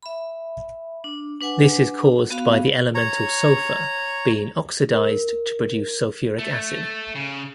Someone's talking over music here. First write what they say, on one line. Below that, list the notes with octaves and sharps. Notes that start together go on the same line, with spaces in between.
This is caused by the elemental sulfur being oxidized to produce sulfuric acid.
E5 B5
D4
D4 B4 F#5 G#5
B3 F#4 F5 B5
C#5 A#5
A#4
A3
C#3